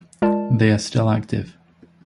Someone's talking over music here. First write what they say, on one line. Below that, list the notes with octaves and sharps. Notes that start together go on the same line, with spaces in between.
They are still active.
G#3 F4 A#4 D5 A5